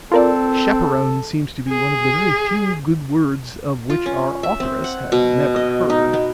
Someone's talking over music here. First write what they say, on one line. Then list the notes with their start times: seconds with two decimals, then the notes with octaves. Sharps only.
Chaperon seems to be one of the very few good words of which our authoress had never heard.
0.12 C4 F4 A4 A#4 D5
1.69 G#4
3.90 F4
4.06 C#4
4.43 E5
4.60 C4
4.84 F#5
5.12 B2
5.56 D#5
5.90 D#4
6.14 B3